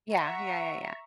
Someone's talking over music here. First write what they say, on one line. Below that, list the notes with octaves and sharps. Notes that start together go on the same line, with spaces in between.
Yeah. Yeah, yeah, yeah.
E5 F#5 A#5 C#6